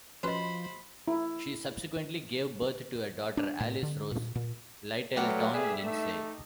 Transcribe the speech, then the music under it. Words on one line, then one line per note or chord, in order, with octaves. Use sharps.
She subsequently gave birth to a daughter, Alice Rose Lyttelton Lindsay.
F3 C#4 F#4 B4 C5 D#5 B5
E4
D4
A2
D3
A#2
A#2
F#3 A3 G4 A4 B4 D5 F5 F#5
G#4 E5
A3 D#4